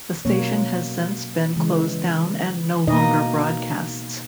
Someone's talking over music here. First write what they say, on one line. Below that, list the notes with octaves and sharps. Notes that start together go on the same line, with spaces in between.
The station has since been closed down and no longer broadcasts.
B2 F#3 A#3 C#4 C#5
C#3 E3 G#3
B2 A#3 D#4 D#5